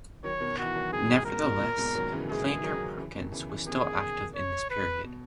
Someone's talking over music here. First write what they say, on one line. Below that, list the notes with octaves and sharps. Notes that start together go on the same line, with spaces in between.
Nevertheless, Kleiner Perkins was still active in this period.
D#3 F#3 C#5
B2 D#3
E3 F#4
D#3 F#3
B2 D#3 G#4
G#2
G#2 A#4
A#2
A#2
G#2 B2
D#3 F#3
C#3 E3
E3 G#3 G#4
D#3 F#3
C#3 E3
B2 D#3
C#3 E3
C#3 E3
B2 D#3 G#4
C#5
B4
B2